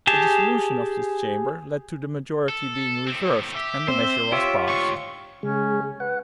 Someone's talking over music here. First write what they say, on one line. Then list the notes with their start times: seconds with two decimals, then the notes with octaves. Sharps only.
A dissolution of this Chamber led to the majority being reversed, and the measure was passed.
0.07 G4 G#4 A5
2.49 A4
3.07 A2 C4
3.55 G4 E5
3.88 C4 C5
4.32 F4 G4 C#5 E5
4.68 D2 G#2 C#6
5.43 C#3 G#3 C#4
6.00 B4 F#5